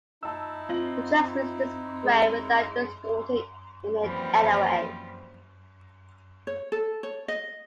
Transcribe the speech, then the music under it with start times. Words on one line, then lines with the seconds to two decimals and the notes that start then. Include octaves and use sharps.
He transmits this prayer without distorting it in any way.
0.23 D#4 E4 A5 E6
0.69 C4 F4 A#6 F#7
2.04 G#3
4.03 F#2 A#2 E3 F3 G3 C4
6.47 C#5
6.72 A4
7.03 C#5
7.28 D#5